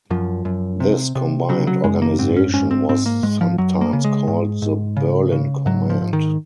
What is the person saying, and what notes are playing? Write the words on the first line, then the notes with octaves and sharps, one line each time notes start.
This combined organization was sometimes called the "Berlin Command".
F#2 F3
F#2
C3
C3
C#3 F#3
F#3
F#2 G#3
A#3
G#2 C4
C#4
G#2 C#4
C4
G#2 C4
A#3
G#2 G#3
F3
F#2 F#3
A#3
C#3
G#3
G#2
G#2
C#3
C#3
G#2 F#3
F3
G#2
D#3